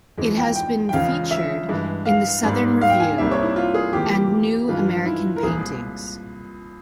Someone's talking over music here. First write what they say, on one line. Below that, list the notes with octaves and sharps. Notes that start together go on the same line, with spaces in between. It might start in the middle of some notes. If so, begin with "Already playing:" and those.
It has been featured in "The Southern Review" and "New American Paintings".
F2 E3 G#3
G5
G5
G5
E2 C#3 F3 G#3 F5
E5
G2 E3 G#3
F5
G#2 G3 A#3
F5
G5
G#5
C2 C3 G3 A#3 E5
C#5
E4
F4
G#4
F2 E3 A#3 G4
G2 E3 G#3 F4
F4
E4
A#4
C2 A#2 F3 G#3 G#4